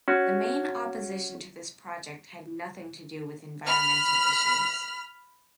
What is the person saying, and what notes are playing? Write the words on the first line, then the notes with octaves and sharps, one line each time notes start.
The main opposition to this project had nothing to do with environmental issues.
C#4 F#4
B5 F6